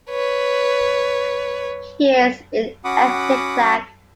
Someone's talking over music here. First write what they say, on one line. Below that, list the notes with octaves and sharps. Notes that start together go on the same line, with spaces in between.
He is an Ethnic Lak.
B4 C#5
C#4 F#4 F#5 B5 D6 D#6